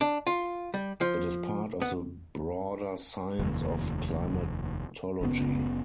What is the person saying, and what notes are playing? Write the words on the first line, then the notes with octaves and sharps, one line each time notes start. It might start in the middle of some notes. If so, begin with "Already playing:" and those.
It is part of the broader science of climatology.
D4
F4
G3
F3
B3
F1 D#2
F#1 C#3 B3